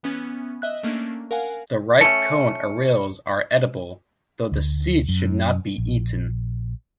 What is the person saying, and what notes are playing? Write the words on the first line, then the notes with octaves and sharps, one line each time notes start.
The ripe cone arils are edible, though the seed should not be eaten.
E3 B3 C#4
D#5 E5 F#6
A3 A#3 C#4 D4
A#4 F5 F#5 G#5
A3 C#4 C#7
D2
F#2
A#1